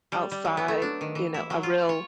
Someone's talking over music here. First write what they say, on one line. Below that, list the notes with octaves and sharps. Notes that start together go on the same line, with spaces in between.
outside, you know, a real
G3
G3
F#3
B3
A3
D4
D#3
E3
E4
F#3
F4
C#5